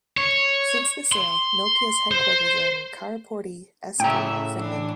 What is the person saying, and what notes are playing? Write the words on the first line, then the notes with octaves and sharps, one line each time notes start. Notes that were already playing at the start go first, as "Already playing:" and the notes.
Since the sale, Nokia's headquarters are in Karaportti, Espoo, Finland.
C#5
C6
C5
A2 C#3 E5 G5 A#5
E3 D4